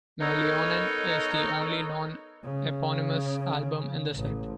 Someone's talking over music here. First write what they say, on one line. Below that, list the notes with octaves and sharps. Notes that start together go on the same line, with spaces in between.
"Meillionen" is the only non-eponymous album in the set.
B3 D#4 A4 A#4 C#5 D#5
C#3
A1